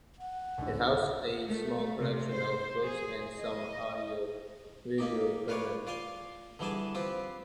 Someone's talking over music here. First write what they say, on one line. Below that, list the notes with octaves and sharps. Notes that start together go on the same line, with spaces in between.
It housed a small collection of books and some audio-visual equipment.
F#5
C2 G#2 D3
A3
C3
C5
G#4
D#5
A#3 D#4 G4
F4 A#4 B4 C#5 D5
F4 D5 F5 G#5 C6
D3 E3 G3 G#4 G#5 A5
C4 F4 G4 B4